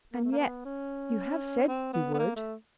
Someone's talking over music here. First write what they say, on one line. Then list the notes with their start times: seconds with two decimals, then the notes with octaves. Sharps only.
"And yet you have said you would?"
0.13 A#3
0.24 A3
0.32 A#3
0.38 B3
0.65 C#4
1.68 C4
1.93 B3
2.14 B3
2.19 A#3
2.36 A3